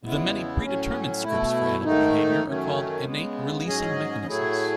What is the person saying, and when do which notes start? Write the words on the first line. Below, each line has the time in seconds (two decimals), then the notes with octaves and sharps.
The many predetermined scripts for animal behavior are called innate releasing mechanisms.
0.03 E2 C#3 G#3 B3 E4
0.63 A2 F#3 C#4
1.23 B2 A3 E4
1.84 G#2 D#3 A3 D#4
2.45 F#2 D#3 F#3 A3 C#4
3.05 C#3 G#3 B3
3.66 G#2 F#3 C#4 G#4 D#5
4.26 A2 F#3 A3 E4 G#4